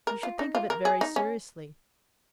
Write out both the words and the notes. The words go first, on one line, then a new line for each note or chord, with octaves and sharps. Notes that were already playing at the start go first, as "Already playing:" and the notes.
You should think of it very seriously.
A#4
F4
D#4
F4
A#4
G#4
D#4
C#4